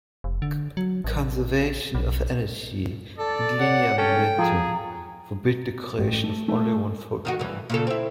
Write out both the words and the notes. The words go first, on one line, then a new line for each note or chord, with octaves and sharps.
Conservation of energy and linear momentum forbid the creation of only one photon.
F1
D3
F#3
A1
B1
A4 D5
C#5 F#5
C#4 A4 G5
F3 G#4 A#5
A1
A3
A3
D#3 D#4 F#4
G2 E3
A#2 C#3 A4
C4 E4